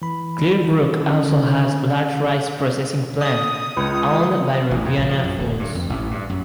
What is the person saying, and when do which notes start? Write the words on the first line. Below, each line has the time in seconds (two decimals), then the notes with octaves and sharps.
Clearbrook also has large rice processing plant, owned by Riviana Foods.
0.02 E3 B5
1.01 D3 C#4
3.21 D#6
3.77 C#2
4.71 A1
4.85 F2
4.97 A#1
5.09 F3
5.24 F#2
5.38 D1
5.59 G2
5.75 F2
5.90 A1
6.11 G2
6.30 F#2